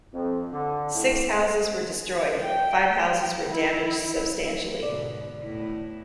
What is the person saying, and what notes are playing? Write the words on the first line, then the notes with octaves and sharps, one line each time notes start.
Six houses were destroyed; five houses were damaged substantially.
F2
D3
A2
G5
E4
G#2 B2 D3 D5
E2 A2 E4